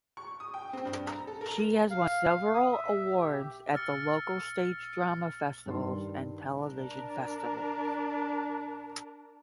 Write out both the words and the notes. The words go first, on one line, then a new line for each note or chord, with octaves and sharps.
She has won several awards at the local stage drama festivals and television festivals.
C#6
D#6
G5
C4
G2
A#5
A4
A#4
F5
D#6
E5
G4
E6 F6 A6 C#7
G2 D#3 G3 D5 C6
D4 A#4